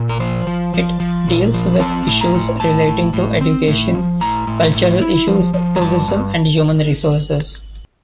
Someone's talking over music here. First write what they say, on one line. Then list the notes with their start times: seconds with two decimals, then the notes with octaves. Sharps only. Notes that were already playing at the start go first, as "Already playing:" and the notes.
It deals with issues relating to education, cultural issues, tourism and human resources.
Already playing: A#2
0.09 A#4
0.20 F3 C5
0.47 F3
0.74 F3
1.00 F3
1.27 A#2
1.54 F3
1.80 C4 A5
2.07 A2
2.21 A#5
2.34 A2
2.60 A2 A5
2.87 A2
3.13 A2
3.41 C4
3.68 A2
3.94 F3
4.21 A2 A#5
4.47 A2
4.75 A2
5.02 E4
5.28 F3
5.54 F3
5.76 A#5
5.81 G2 A5
6.08 G2